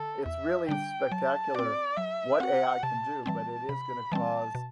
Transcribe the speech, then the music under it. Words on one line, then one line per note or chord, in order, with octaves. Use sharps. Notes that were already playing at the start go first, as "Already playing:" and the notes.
It's really spectacular what AI can do, but it is gonna cause
Already playing: D3 A4
E2 E5
D3 G3 D4 G5
F#3 A5
C4 F#4 D5
F#3 E5
C4 F#4 F#5
C3 A5
E3 G3 C4 A5
C3 B5
E3 G3 C4 A5
B2